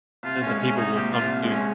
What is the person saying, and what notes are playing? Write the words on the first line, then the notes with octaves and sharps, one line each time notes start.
Then the people will come to
C2 F4
C#4
G#3
C#4
C2 D#4
A#2 G4
F4
C2
G#3
C#4